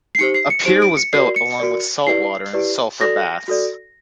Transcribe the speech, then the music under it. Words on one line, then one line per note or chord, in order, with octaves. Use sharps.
A pier was built, along with salt water and sulphur baths.
C7
D#4 G4 C5 C#7
C7
C#7
D#4 G4 C5 D7
D7
C#7
F#4 A#4 D5 C7
C#7
F#4 A#4 D5
E4 G4 B4 D5 C7
E4 G4 B4 D5
F#4 A4 D5 A#6
F#4 A4 D5